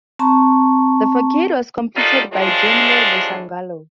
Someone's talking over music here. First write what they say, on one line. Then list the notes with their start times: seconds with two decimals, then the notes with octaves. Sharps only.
The facade was completed by Giuliano da Sangallo.
0.19 C4 A5 A#5 C#6
1.96 F#2 G3 D#4 F4 F#4 A4
2.32 A2 F3 G3 G#3 D4 F4